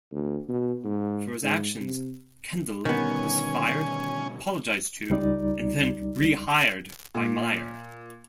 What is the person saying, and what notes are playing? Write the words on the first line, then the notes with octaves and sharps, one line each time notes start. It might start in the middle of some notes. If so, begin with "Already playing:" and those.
For his actions, Kendall was fired, apologized to, and then rehired by Meyer.
D2
B2
G#2
G#2
C3
B2 D3 D#3 G3 B3 C#4 G#5
C#2 G3 D#4 D5
A#2